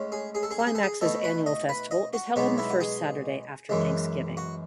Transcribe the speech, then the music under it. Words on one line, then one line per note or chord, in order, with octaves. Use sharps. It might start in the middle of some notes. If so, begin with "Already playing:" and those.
Climax's annual festival is held on the first Saturday after Thanksgiving.
Already playing: A2 G#3 C#4
G#4
G#4
A4
G#4
A4
G#4
A4
G#4
B2 A3 D#4 A4
B4
D#5
B4
D#5
F#4
B1 B2 G#3 B3 D#4
E4
F#4
G#4
F#2 E3 G#3
F#4